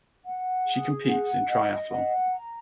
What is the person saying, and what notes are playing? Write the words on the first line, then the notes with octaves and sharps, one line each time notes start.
She competes in triathlon.
F#5
G#4
F#5
D#5
F#5
A#5